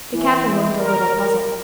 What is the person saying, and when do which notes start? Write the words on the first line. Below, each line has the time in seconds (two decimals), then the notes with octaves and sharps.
The Captain looked a little puzzled.
0.13 E3
0.79 A#4